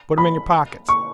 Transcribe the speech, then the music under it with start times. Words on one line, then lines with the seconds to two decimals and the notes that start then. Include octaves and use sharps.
"Put 'em in yo' pockets."
0.18 B5
0.89 C#6